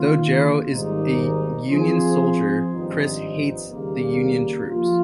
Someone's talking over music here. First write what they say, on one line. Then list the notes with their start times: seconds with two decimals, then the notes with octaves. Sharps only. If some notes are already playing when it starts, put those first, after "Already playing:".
Though Jethro is a Union soldier, Chris hates the Union troops.
Already playing: D#3 A#3 C#4 F4
0.69 G#1 G#2 G3 A#3 D#4
1.69 F3 C4 F4 G#4 C5
2.70 G#1 G2 F3 C4 D#4
3.69 D#2 C#3 G3 A#3
4.70 F3 A#3 F4